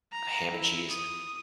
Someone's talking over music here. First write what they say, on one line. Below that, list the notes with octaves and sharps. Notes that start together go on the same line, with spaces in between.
A ham and cheese
A#5
E4
D#6